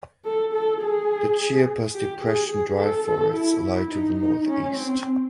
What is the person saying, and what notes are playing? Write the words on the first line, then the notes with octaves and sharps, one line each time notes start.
The Chiapas Depression dry forests lie to the northeast.
A4
A4
G#4
G4
G#4
G#4
A4
A4
E4
E4
D#4
D#4
C#4
C4